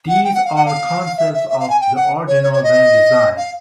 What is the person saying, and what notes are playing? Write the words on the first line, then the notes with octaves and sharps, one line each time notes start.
These are concepts of the original van design.
F#5
G5
F#5
F5
F#5
F5
E5
E5
E5
F5
G#5
G5
F#5
C#5
C#5
C#5
D#5
F5